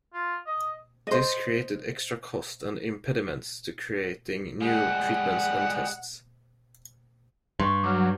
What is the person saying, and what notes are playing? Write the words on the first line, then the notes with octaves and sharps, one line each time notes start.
This created extra costs and impediments to creating new treatments and tests.
F4
D#5
C5 D#5
G3 G#3 F#5
G2 C6 C#6
F#3 D6 F6